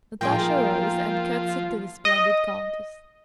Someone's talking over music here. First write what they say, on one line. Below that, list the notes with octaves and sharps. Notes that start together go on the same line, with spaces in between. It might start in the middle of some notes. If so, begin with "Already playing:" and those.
Natasha rose and curtsied to the splendid countess.
B1 F3 A#3 F4 G#4 A#4 G5
D#5